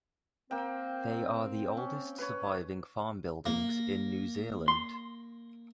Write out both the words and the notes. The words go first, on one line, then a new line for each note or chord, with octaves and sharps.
They are the oldest surviving farm buildings in New Zealand.
A#3 C4 G5
C#4
B4 C#5
A#3
C6